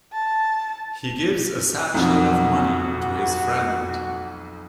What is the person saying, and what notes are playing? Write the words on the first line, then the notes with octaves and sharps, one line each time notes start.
He gives a satchel of money to his friend.
A5
B1 F2 F#4